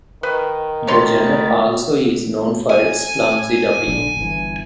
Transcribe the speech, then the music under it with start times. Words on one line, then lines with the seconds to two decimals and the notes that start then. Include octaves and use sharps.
The genre also is known for its clumsy dubbing.
0.23 D#3 B4
0.87 D3 A3 C#5 B5 C6 A6
2.70 G#5
3.88 A#1 D3
4.17 G1 E3